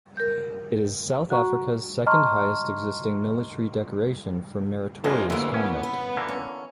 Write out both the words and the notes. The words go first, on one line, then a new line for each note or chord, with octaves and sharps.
It is South Africa's second highest existing military decoration for meritorious conduct.
A#4 G6
F#4 F#5 A#5 C#6
D#5 A5 A#5 C6 C#6 F6
A1 E2 G#3 F4 F#4 A4
D2 E3 A#3
C#4 B4 F#5
B3
D3 E3 A#3
C#4